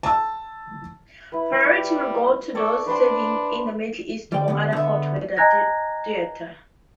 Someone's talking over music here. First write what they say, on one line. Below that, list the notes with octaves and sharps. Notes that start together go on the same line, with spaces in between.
Priority will go to those serving in the Middle East or other hot-weather theaters.
A5 E6
E4 B4
G3
A4 C#5 D5
D4 B4 C5 C6
D3 G3 G5
D3 G3 B3
D3 B3 E5
D#5 G#5 A#5 F#6 G#6 A#6